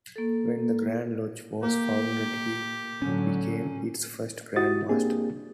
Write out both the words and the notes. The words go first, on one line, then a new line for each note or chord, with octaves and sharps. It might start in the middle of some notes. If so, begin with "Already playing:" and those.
When the Grand Lodge was founded he became its first Grand Master.
A#3 A4
A#3 G4
A2 D3 F#3 C#4
E4 F#4 G4 D#6 A6
A#3 C4 D4 G4 G#4